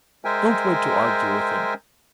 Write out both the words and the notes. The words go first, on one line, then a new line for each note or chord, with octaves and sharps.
Don't wait to argue with him.
G#3 A#4 C5 E5 G5 G#5